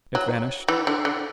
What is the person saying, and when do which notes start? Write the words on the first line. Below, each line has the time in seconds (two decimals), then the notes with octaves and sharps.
It vanished.
0.15 F#3
0.68 E3
0.87 D3
1.05 D3